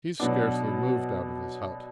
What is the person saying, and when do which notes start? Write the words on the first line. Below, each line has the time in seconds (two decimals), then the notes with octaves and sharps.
He scarcely moved out of his hut.
0.20 B2 F#3 B3 D4